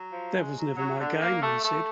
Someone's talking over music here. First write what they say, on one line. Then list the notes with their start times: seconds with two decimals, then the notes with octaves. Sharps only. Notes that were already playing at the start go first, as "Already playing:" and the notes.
"That was never my game," he said.
Already playing: F#3
0.13 F3
0.34 G#3
0.56 F#3
0.77 F#3
0.98 D3
1.20 A#3
1.42 A3
1.63 A3